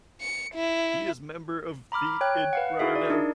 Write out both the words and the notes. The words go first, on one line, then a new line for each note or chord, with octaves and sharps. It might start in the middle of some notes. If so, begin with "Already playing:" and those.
He is member of the in Rotterdam.
C#7
E4
A#5 B5 D6 F6
C#5 G5 F#6
B4 F5 F#5
D#4 E4 F#4 G#4 E5
D5
D4 D#4 A#4